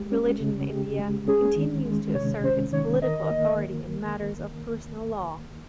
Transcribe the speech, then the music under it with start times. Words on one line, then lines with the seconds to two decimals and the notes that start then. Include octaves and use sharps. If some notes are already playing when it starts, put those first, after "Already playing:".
Religion in India continues to assert its political authority in matters of personal law.
Already playing: G#3 G4
0.12 C#4
0.40 C#3
0.70 G4
0.99 G#3
1.28 C#4 G#4
1.56 D#3
1.85 G#3
2.14 C3 C#5
2.44 C#4 C5
2.72 D#3 C#5
3.02 A#4 D#5
3.30 A#3